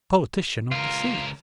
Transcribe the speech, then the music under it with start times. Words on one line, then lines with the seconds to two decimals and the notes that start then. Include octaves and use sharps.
A politician of the seas.
0.72 C#2 F4 A#4